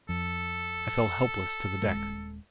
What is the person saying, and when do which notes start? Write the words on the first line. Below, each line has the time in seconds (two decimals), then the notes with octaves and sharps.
I fell helpless to the deck.
0.09 F2 A4
1.82 D#1 G#3